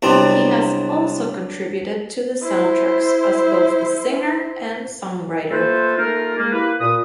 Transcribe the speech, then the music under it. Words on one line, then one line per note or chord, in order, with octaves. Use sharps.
He has also contributed to the soundtracks as both a singer and songwriter.
C2 B2 F#3 C4 D4
E4 C5
A3 A#3 F4 A4 B4 C5
A3 A#3 D#4 F4 A#4
G#3 A#3
A#3 E4 G4 B4
A#2 D#6